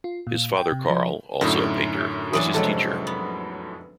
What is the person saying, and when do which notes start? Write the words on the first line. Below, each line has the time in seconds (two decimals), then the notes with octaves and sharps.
His father Karl, also a painter, was his teacher.
0.04 F4
0.27 A#2
0.57 G5
0.72 C3
0.90 F3
1.41 F#2 A2 D3 D#4 E4
2.33 E3 F#3 D4 D#6
2.54 F1 C3 F3 F#3 G#3 A4
3.07 B3